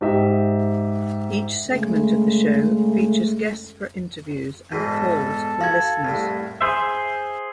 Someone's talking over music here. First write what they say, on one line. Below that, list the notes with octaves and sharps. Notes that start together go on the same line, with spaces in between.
Each segment of the show features guests for interviews and calls from listeners.
G#2 G4 D#5 E5
C#3 G#3 A3
E2 G#2 B2 A4
F#4 F5 G#6
C2 A2
G#4 C5 E5